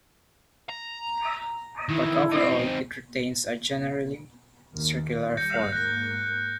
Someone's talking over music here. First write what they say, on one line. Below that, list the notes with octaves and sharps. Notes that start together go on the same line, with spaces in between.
But overall it retains a generally circular form.
A#5
D#3 E3 E4
C4 D#4
D#2 D#3
G3 G6 A#6 C#7
G#2 A#3 F#6 A#6